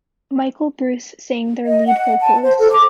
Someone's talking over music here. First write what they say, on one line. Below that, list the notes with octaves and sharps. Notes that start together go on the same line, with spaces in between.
Michael Bruce sang their lead vocals.
D#5
F#5
A5
C5
A4
D6